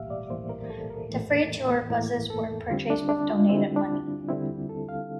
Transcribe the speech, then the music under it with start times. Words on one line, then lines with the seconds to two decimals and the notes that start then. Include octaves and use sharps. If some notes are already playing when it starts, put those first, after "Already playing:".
The three tour buses were purchased with donated money.
Already playing: A2 E3 A#3 G4 E5 F5
0.10 D5
0.30 A2 E3 A#3 C5
0.49 A#4
0.70 A4
0.90 A#4
1.09 A2 E3 A#3
1.90 A2 E3 A#3 A#4
2.30 A4
2.70 D3 G3 C4 F4
2.90 D4
3.09 D4
3.30 F4
3.49 D3 G3 C4 E4
3.76 D4
4.29 D3 G3 C4 E4
4.69 A4
4.89 F5